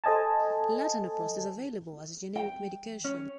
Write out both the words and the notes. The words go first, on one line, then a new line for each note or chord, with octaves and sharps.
Latanoprost is available as a generic medication.
A4 C5 D#5 G#5 A5
G5
C#4